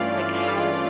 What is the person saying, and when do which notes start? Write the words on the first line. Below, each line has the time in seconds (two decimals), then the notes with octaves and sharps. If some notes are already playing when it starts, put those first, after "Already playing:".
Like, how
Already playing: G2 E3 A3 C#4 F4 D5 F5
0.40 F4